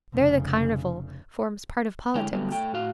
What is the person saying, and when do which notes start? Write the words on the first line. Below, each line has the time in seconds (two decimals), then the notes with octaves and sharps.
There the Carnival forms part of politics.
0.13 F1 C#3
2.15 D3 G#3 E4 C#5 G5
2.33 D3 F#3 G3 A3 B3
2.52 A3 G5
2.73 A2 F#4 F5